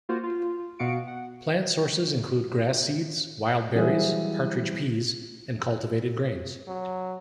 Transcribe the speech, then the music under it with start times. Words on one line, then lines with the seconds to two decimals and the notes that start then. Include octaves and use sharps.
Plant sources include grass seeds, wild berries, partridge peas, and cultivated grains.
0.09 A#3 F4 F#4 C5
0.24 F4
0.79 B2 B3 F#4 F5 C#7 D7
1.07 F#5
3.75 E3 F#3 G3 G#4 C5 E5
6.68 F#3